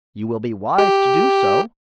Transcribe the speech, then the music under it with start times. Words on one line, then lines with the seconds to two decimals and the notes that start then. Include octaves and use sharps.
"You will be wise to do so."
0.78 G4